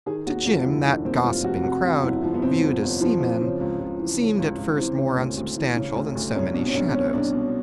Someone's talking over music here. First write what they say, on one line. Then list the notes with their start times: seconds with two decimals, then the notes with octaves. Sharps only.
To Jim that gossiping crowd, viewed as seamen, seemed at first more unsubstantial than so many shadows.
0.06 D#3 G#4
0.26 D#2 F#4
0.45 F1 F4
0.65 F1 E4
0.85 D#3 D4
1.05 D#2 C4
1.24 F1 F4
1.44 F1 F#4
1.63 C3 F#4
1.84 F2
2.02 G1 E4
2.23 F3
2.34 B3
2.42 C3 C4
2.62 F2
2.82 G1
3.01 F3
3.20 E3 C4
3.41 C#3
3.60 C#2
3.79 C#2
3.99 E3
4.19 C#3
4.39 C#2
4.58 C#2
4.78 E3 C4
4.98 C#3
5.17 D2
5.37 D2
5.56 E3
5.76 C#3
5.95 D2
6.15 D2
6.35 C2 C#4
6.54 B2 D4
6.68 C#4
6.74 C2 D4
6.93 B2 C#4
7.14 C2 D4
7.33 B2